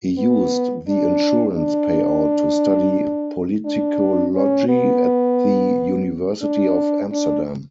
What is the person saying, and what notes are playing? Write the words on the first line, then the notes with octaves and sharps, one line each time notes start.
He used the insurance payout to study politicology at the University of Amsterdam.
B3
D4
D4
D4
C#4
B3
D4
D4